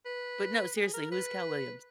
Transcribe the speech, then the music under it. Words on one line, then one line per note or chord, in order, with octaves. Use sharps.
But, no, seriously, who's Cal Williams?
B4
G#4
A#4
B4